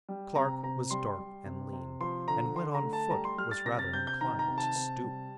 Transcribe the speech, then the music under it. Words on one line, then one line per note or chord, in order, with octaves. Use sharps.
Clark was dark and lean, and when on foot was rather inclined to stoop.
G3
C3 A#5
C3 A#5
G3 C6
G3
C3
C3
F3 C6
D3 A#5
D3 C6
A#5
A3
A5
G3 A#5
C6
G3 F6
A6
C3 A#6
A6
C3 G6
G6
D#3 A#5
A#5
C3
A5
C3
G3